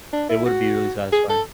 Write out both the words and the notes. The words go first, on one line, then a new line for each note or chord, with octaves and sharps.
it would be really satisfying.
D4
E4
F#4
G#4
A4